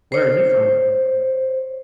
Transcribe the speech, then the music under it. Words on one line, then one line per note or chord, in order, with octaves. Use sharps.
Where are you from?
C5 C#5